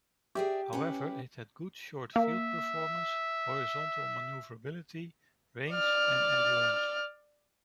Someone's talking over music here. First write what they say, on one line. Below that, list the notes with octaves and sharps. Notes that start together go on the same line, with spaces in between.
However, it had good short field performance, horizontal manoeuvrability, range and endurance.
G4 G#4 D5 E5
C#4 E4 B4
A#3 E5
D5 F6